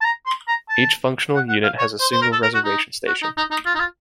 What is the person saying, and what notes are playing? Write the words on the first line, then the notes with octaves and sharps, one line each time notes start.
Each functional unit has a single reservation station.
A5
A#5
C6
A#5
A5
F#5
F#5
F5
C#5
C5
C5
A#4
A4
A#4
F#4
D#4
F#4
D#4
D#4
D#4
F4
D#4
F4